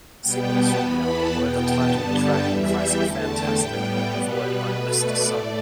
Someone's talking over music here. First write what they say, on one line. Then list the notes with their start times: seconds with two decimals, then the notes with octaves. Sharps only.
Singles from the album were the title track "Classic Fantastic" followed by "Mr Sun".
0.22 B2 G3 B3 G5
0.50 A5
0.77 E2 E3 B3 B5
1.06 A5
1.33 E2 B2 B3 G5
1.62 A5
1.90 G2 D3 G3 B3 A5
2.18 G5
2.45 E2 E3 G3 E5
2.74 G5
3.01 E2 D3 A3 A5
3.30 G5
3.58 A2 G3 B3
4.14 B2 G3 B3 B4
4.42 B4
4.70 B2 A3
4.98 D5
5.26 A2 A3